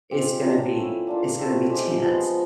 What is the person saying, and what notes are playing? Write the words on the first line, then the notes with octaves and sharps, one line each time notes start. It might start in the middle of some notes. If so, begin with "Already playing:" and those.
it's gonna be it's gonna be tense,
G#3 C4 F4 G4
F#3 A#3 D4 F4
A3 C#4 E4
A#3 D4 F4
A3 C4 E4
G#3 C4 F4 G4
F3 G#3 B3